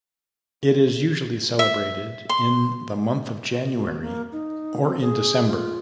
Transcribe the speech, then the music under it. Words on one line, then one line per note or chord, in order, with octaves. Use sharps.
It is usually celebrated in the month of January or in December.
E5
C6
F#4
A#3
D#4
C4
G#4
F4